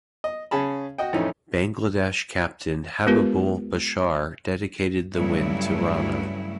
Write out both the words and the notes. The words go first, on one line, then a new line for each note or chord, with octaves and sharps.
Bangladesh captain Habibul Bashar dedicated the win to Rana.
D#5
C#3 C#4 G#4 A5 B5
F#4 D#5 G5
F2 A2 E3 A3 C#4 D#4
G#3 B3 F4 G4 A#4 B4
G2 C#3 F#3 A3 E4